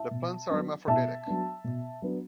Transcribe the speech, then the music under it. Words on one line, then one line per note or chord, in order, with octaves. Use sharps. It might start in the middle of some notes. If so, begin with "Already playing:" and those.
The plants are hermaphroditic.
Already playing: E5 A5
B2
F#3 B3 D4
B2 E5 A5
F#3 B3 D4
B2
F#3 B3 D4